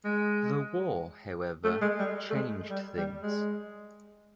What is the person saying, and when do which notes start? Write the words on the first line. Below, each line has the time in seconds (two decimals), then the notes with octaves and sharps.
The war, however, changed things.
0.05 G#3
1.64 A3
1.82 G#3
1.99 G3
2.30 A3
2.35 G#3
2.70 G3
2.97 G3
3.23 G#3